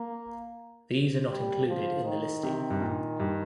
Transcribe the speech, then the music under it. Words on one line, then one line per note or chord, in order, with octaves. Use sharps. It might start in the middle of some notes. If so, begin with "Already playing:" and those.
These are not included in the listing.
Already playing: A#3
G3
F3
D#3
C3
G2
A#2
G2